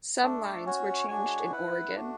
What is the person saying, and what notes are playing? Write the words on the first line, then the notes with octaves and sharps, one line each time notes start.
Some lines were changed in Oregon.
A3 D4 A4
C#4 F#4 C#5
G#3 D4 F#4 C#5 G#5
E4 B4 F#5
A3 D4 F#4